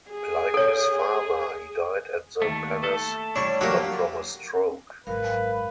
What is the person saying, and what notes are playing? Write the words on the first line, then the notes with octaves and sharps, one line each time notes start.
Like his father, he died at the palace-but from a stroke.
G#4
A4 C#5
G#4
D#2 A3
A3 A4
G3 D4 E4 C#5
F#3 A#3 G4
G#1 F#2 A#4 B4 F5